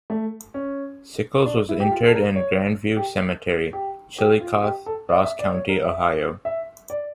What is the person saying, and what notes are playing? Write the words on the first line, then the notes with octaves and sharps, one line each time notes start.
Sickles was interred in Grandview Cemetery, Chillicothe, Ross County, Ohio.
A3
C#4
D4
E4
G4
F4
A4
A#4
C#5
G4
G4
G4
F4
G4
A4
D5
E5
D5
C#5
A#4
E5
E5
D5